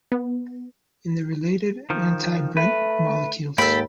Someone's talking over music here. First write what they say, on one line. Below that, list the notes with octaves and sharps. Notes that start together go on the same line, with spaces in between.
In the related anti-Bredt molecules.
B3
D#3 F3
A3 B4
D#2 G#2 A#3 A4 G5 B5